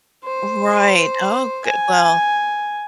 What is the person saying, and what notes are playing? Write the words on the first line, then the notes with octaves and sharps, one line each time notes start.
Right, oh, g well.
C5
G#5